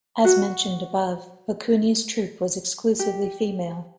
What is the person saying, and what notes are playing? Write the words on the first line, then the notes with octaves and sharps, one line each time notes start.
As mentioned above, Okuni's troupe was exclusively female.
F#4
G4